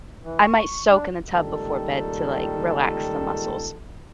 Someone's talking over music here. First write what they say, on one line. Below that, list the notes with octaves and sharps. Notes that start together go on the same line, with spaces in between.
I might soak in the tub before bed to, like, relax the muscles.
E3
C#6
D4
C#2 A#2 D#3 G3 A4